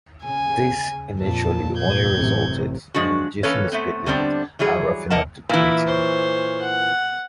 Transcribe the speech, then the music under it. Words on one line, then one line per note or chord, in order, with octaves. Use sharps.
This initially only resulted in reducing the speed limit and roughing up the grating.
C#3 G#5
F2 A#2 A5
G6 G#6
A1 F#2 C3
F3 G#3 D4 F#4
E3 A#3 C#4 A4 B4 C#5
A3 B3 C4
D3 G3 B3 C4 D4
E3 F#3 G3 G#4
C3 A#3 A#4 D#5 F#5 A5
A#2 E3 E4
C5 C#5
F#5